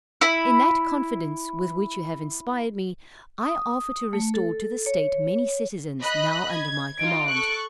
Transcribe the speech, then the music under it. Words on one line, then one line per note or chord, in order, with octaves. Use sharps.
In that confidence, with which you have inspired me, I offer to restore to the state many citizens, now under my command.
E4 B5
D#6
A3
A4
C#5
D#5 B5 F#6
G#6
D#4 F4 D7
A4 C#6 F#6